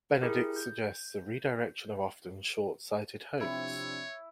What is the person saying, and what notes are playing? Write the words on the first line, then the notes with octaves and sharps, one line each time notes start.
Benedict suggests a redirection of often short-sighted hopes.
E4 G4 G#4 A#4
G6
C3 F3 C4 D4 E4 C#5